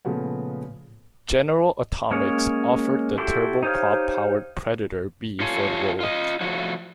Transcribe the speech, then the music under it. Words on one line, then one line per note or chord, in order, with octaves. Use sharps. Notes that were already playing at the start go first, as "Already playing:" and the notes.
General Atomics offered the turboprop-powered Predator B for the role.
A#2 C#3 F3 A3 B3
G#3 A#3 C#4 C#5
E4 F#4 G4 A4 C6
D#4 G4 C5 C#5 F5
F4 G4 A4 C#5 F5 G#5
F4 D#5
A2 F3 F#4